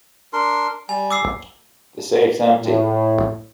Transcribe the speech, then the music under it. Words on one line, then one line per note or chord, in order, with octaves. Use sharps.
The safe's empty.
D4 A#4 C6
G3 G#5
D6 E6 C7
A2